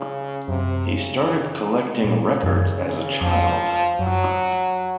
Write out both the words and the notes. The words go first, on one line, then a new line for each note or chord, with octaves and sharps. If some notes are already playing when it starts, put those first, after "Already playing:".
He started collecting records as a child.
Already playing: C#3
F#2 C3
C#3
A#2
F#2 C#3
C#3
F2 F3
F#2 F#3